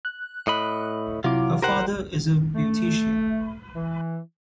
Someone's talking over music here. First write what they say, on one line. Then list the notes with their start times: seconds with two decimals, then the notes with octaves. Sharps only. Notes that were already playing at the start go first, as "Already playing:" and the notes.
Her father is a beautician.
0.05 F#6
0.47 A2 D#5 B5
1.24 C3 F#3 E4 F4 D6
1.62 G4 A#4 C5 F#5
2.55 A3
3.74 E3